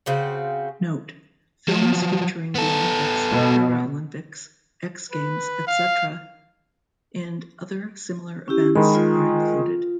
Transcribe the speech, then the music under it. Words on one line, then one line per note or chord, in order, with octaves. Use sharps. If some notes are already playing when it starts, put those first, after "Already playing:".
Note: Films featuring the Olympics, Paralympics, X-Games, etc... and other similar events are included.
C#3 C4 F#4
F3 F#3
B3 A4
B2
B4
F5
C#4 E4 G4
D#3 G#3 B5
F4